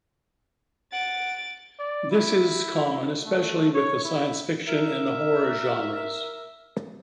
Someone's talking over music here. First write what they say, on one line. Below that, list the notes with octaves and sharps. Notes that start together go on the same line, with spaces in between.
This is common especially with the science fiction and horror genres.
F#5 A6 D7
D5
E4
A3
C#5
E4
A#4 E5